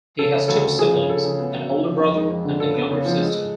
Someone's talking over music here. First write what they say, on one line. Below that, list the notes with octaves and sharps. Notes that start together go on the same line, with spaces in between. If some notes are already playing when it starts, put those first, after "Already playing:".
He has two siblings, an older brother and a younger sister.
C#3 A4
C#3
D2 A4
C#3
F3 G#4
C#3
C#3 A4
C#3
B3
F#2
F#2
F3
F2
G#3
F2
D3
C#3 A4
B3
C#3
F3
G#3